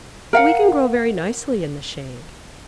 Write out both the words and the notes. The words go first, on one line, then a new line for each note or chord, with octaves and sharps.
"We can grow very nicely in the shade."
A#4 F5 F#5